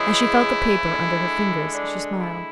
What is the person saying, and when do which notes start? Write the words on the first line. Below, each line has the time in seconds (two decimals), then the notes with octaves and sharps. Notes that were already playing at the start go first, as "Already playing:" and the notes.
As she felt the paper under her fingers she smiled.
Already playing: C#3 E3 G#3 E4
0.83 D3 G#3
1.74 D4
2.20 E4